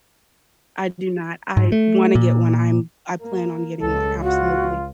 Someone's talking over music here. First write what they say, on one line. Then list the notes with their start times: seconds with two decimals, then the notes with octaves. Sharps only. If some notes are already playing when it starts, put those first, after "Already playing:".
I do not, I wanna get one, I’m I plan on getting one, absolutely.
1.57 G#2
1.72 A3
2.15 A#2
3.22 A#3
3.81 C#2 A4
4.22 F4 F#4